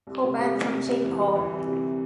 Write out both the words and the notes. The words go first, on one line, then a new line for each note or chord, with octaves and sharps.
Hoban from Saint Paul.
C2
C3
C2
C2
C3
C2
E3
C3
E3
C2
C3